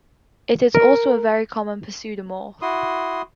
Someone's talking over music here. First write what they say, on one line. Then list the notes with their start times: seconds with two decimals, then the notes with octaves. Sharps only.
It is also a very common pseudomorph.
0.75 A#4
2.62 E4 F#4 C6 D#6